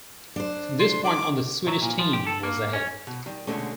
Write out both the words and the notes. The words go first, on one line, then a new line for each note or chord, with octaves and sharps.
From this point on the Swedish team was ahead.
D4 C5
C6
D6
F#3
A#2
F3
G4
A4
A#3
C#4
B2
D#3 G3
B2 D3 G#3 A3 C#4